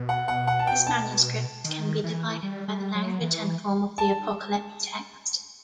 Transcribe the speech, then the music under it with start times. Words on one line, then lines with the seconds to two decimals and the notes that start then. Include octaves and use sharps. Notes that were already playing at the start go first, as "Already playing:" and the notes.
These manuscripts can be divided by the language and form of the Apocalypse text.
Already playing: B2
0.09 F#5
0.28 F#5
0.47 F#5
0.59 A5
0.67 G5
0.87 A5
1.65 D#3
2.04 E3
2.43 G3
2.68 G3
2.95 F#3
3.21 E3
3.98 A5